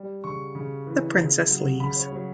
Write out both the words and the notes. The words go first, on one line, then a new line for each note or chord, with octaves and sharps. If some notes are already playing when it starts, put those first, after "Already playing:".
The Princess leaves.
Already playing: G3
C#3 C#6
C#3
E3
C#3
F#3
C#3 B5
C#5
F#3 C#5